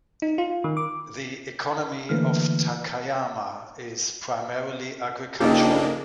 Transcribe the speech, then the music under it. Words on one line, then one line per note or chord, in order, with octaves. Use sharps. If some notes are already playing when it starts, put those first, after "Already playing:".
The economy of Takayama is primarily agricultural.
D#4
F4
D#3
D6
D3 E3 A3 A#3 F6
A#1 C#3 A#3 D4 D#4 G4 A4